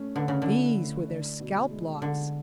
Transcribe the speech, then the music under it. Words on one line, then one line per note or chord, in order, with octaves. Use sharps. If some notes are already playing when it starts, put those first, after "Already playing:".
These were their scalp locks.
Already playing: A3 C#4
D3 B4
C#3
D3
E4
A3
D4
B2
G#3
D3 G#4